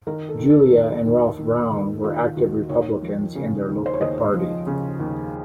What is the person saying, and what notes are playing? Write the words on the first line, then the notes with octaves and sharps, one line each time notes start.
Julia and Ralph Brown were active Republicans in their local party.
D#3 A#4
A4
D#2
A4
D#3
D#2
D#3
D#2
D#3 F4
D#2 F#4
D#2 C#5
F3
C#3
D#2
C5
C#5
D#2 D#5
F3
C#3
D#2